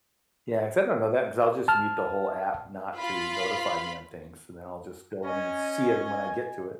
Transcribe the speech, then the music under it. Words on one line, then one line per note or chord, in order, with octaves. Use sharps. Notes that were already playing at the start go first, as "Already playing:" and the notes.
Yeah. 'Cause I don't know that 'cause I'll just mute the whole app not to notify me on things, and then I'll just go in and see it when I get to it.
A5 F6
F4 B5
C#4 D#5 G#5